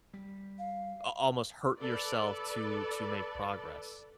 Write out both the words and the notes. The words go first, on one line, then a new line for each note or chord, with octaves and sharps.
a almost hurt yourself to to make progress.
G3
F5
A4 B4 D5